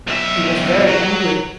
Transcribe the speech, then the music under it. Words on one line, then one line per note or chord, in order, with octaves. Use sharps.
He was very angry.
B1 E5
F#3